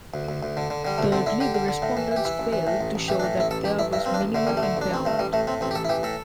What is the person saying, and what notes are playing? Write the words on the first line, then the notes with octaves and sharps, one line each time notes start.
Thirdly, the respondents failed to show that there was "minimal impairment".
D2
D2
D2
D3
D3
D3 G3
D2 A3
D3 C4
D3 E4
D3 G4
D3
D3
A2
E3
E3
G4
E3 E4
A1
E3
A2
A1
A1
E3 G4
D4
A2
A1 E4
A1 A4
A1 G4
A1 E4
G2 E4
G2 C4
D4
A1
D3 A3
A1 G3
A3
D3
A1 D4
A1 C4
G2 A3
A1 G3
A2 A3
A2 C4
A1 C4
G4
A1 A4
E4
E3 G4
A2 A4